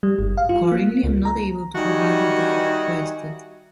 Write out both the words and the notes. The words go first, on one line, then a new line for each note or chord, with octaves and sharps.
Accordingly I am not able to provide the data requested.
G3
G1
F5
F4
A#3
C#2
A#5
D#3 G3 D#4 F#4 E5 G#5